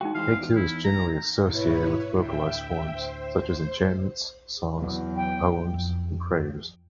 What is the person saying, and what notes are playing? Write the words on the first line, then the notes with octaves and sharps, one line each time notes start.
Heku is generally associated with vocalized forms, such as enchantments, songs, poems and prayers.
G#3 D#4 F#4 G5
E3 G#3 C5 F5
E2
E4
A#5
G#2 B2 E4 B4 C#5
D2 A2 E5 G5
C5
E2 F#3
G5
F2